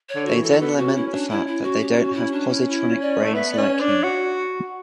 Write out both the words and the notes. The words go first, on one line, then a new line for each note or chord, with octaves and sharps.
They then lament the fact that they don't have positronic brains like him.
C#5
D3
F#4
E3 A4
B3 A4
F#4
C#4
E4
C#4
D4
C#4 E4
E4
F#4
G4
F#4
E4
D4
E4
E4
D5
A3
B3 E5
D5
C#4
C#5
D4
C#5
F#4